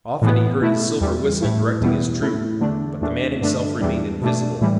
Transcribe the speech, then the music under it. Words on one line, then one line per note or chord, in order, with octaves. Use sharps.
Often he heard his silver whistle directing his troop, but the man himself remained invisible.
A2 E3 B3
B2 A3 E4
E2 E3 G3
A2 A3 E4
E2 B2 G3 B3 E4
A2 A3 E4
E2 D3 A3 D4
E2 E3 A3 D4
G2 D3 A3 D4
E2 E3 G3 D4
B2 A3 D4
A2 E3 G3